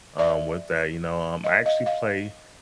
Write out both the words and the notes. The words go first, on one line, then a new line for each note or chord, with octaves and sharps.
um, with that, you know, um, I actually play,
D5 E5
D#5 F5
D#5 F5
D#5 F5